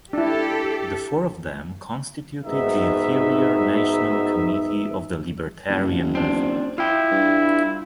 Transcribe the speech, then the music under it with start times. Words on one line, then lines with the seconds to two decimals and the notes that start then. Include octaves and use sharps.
The four of them constituted the interior national committee of the Libertarian Movement.
0.13 D4 E4 G4 A4
2.43 G#2 B2 D#3 D#4 E5
5.69 F#1
6.15 C4 D4
6.78 E4 F4 G5
7.11 G2